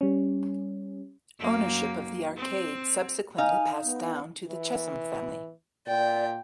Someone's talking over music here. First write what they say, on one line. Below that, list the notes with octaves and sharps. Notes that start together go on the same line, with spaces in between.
Ownership of the arcade subsequently passed down to the Chesham family.
G3 C#4
F#2 A#3
C4
D#4 F5 G#5
B3
E3
A#2 D5 G5